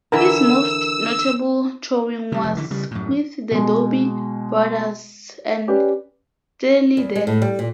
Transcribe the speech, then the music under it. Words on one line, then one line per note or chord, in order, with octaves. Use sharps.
His most notable touring was with the Doobie Brothers and Steely Dan.
D3 E3 A#4 E6
C3 G3
F1
D3 E3
C#3 G3
F#2 A2
B2 G#3
C#4 G4 B4 D5
E2
G#3
A2
G3
A#2